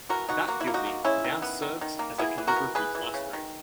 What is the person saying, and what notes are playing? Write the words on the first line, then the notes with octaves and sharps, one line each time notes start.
That building now serves as a calligraphy classroom.
E3 F#4 A#4
B3 D#4 F#4
A#3 F#4
E4
A#3
D#4 F#4
A#3
G#3 C#4 E4
D#3
B3
D#3
D#3
A#3
B3 E4 G#4
E3
F#4 A#4
B3
E3 G#4 B4
E3
C#3
D#3